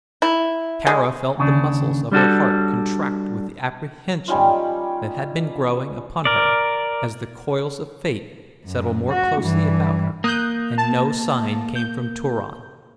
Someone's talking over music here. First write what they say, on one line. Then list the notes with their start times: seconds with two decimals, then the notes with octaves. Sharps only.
Tara felt the muscles of her heart contract with the apprehension that had been growing upon her as the coils of Fate settled more closely about her and no sign came from Turan.
0.22 E4
0.87 G#3
1.38 D#2 C#3 D4
2.12 G3 D4 F#4 A4
4.28 G3 C#4 D#4 F4
6.25 A#4 D5
8.66 F#2
9.09 F#4
9.40 G2 E3
10.24 A#3 D#6 F#6 G6
10.78 A5
11.76 G6